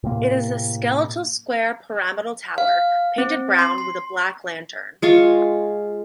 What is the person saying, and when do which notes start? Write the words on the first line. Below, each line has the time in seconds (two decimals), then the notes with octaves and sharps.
It is a skeletal square pyramidal tower, painted brown, with a black lantern.
0.03 A2 C3 A#3
2.58 F5
3.18 C4
3.59 C6
3.78 C6
5.02 G#3 F4 C#6